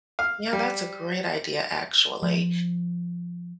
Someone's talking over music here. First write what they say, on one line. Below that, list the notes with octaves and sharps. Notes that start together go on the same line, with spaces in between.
Yeah, that's a great idea, actually.
F5
G3
F3